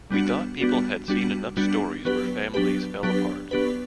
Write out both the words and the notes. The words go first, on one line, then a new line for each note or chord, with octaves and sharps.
We thought people had seen enough stories where families fell apart.
G3 B3 D4 F#4
G3 B3 D4 F#4
G3 B3 D4 F#4
G3 B3 D4 F#4
F#3 B3 D4 G4 B4
F#3 B3 D4 G4 B4
F#3 B3 D4 G4 B4
F#3 B3 D4 G4 B4